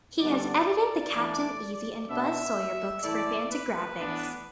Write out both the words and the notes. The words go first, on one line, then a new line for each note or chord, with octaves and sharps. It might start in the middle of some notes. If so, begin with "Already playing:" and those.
He has edited the Captain Easy and Buz Sawyer books for Fantagraphics.
D3 G3 B3 D4 D5
E3 A3 D4
B2 B3 D4 E5
A2 E3 A3 E4 D5
B4
A2 E3 B3 D4